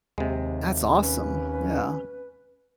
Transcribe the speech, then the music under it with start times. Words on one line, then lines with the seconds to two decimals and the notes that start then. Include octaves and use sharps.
That's awesome, yeah.
0.18 D#2 C3 G#3
1.02 C#4 B4